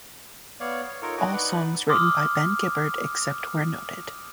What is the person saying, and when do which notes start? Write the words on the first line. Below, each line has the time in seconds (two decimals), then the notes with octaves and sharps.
All songs written by Ben Gibbard except where noted.
0.60 B3 C#5 D5 F5
0.88 C#5
1.02 D#4 F4 A4 A#4 C#5
1.17 D4 D#4 F#4 D#5 D6
1.33 D#4 B4 D5 F#5
1.89 C6 D6 D#6 F6